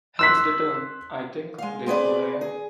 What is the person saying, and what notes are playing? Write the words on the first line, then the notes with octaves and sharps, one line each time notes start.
Hence the term I think, therefore I am.
C6 E6 F#6 B6
G#3 F5
C4 G#4 B4 D5
G#4